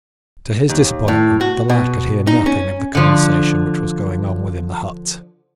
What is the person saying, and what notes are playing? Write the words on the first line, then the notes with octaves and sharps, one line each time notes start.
To his disappointment the lad could hear nothing of the conversation which was going on within the hut.
D#2
A2
F#4
B2
D#4
C#4
D3 F3